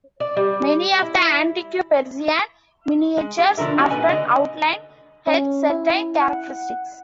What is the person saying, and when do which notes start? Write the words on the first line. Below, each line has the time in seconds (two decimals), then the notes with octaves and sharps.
Many of the antique Persian miniatures often outlined her certain characteristics.
0.20 D5
0.37 G3
1.02 E4
3.17 G#3
3.38 G4
3.57 B2 D3 F3 A#4 E5
3.78 A#3 C#4 D#4 F#4 G4 F#5
3.90 A#2 A3 B3 B4 D#5 G#5
4.09 D3 D#5
5.27 C#4
5.70 E4
6.22 F#5